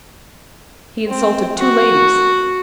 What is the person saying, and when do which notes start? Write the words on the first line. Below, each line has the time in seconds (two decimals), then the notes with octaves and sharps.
He insulted two ladies.
1.08 C4
1.58 F#4